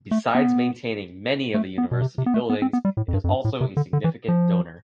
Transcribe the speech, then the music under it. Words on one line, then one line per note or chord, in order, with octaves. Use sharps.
Besides maintaining many of the university buildings, it is also a significant donor.
A3
B3
A3
B3
B2
C3
C3
B3
A3
B3
C4
B3
G3
A2
F2
G2
F2
G2
A2
C3
D3
D3
E3
F3